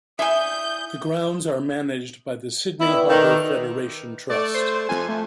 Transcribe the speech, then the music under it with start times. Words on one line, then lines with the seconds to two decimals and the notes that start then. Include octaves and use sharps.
The grounds are managed by the Sydney Harbour Federation Trust.
0.19 E4 D5 E5 G#5 B5 D#6 G6
2.80 B2 G3 B3 E4
3.09 D#3 A4 G5 D6
4.30 A3 D5
4.54 C5
4.89 F2 G#5
5.09 F2 A3